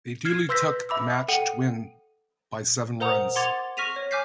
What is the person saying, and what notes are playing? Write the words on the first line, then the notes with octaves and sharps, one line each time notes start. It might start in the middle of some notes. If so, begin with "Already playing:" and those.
They duly took the match to win by seven runs.
F6 G#6 C7 E7
B4 C6 E6 G6 A#6 B6
E5 B5 D6 E6
A4 F#5 G5 C#7 D#7
A#4 C5 F#5 A#5 D#6
F#5 C6 D6 G#6 A6 F7
C#6 F6 A#6 B6 D#7 F7
C#5
G#5 D6 F6 G6 B6 C7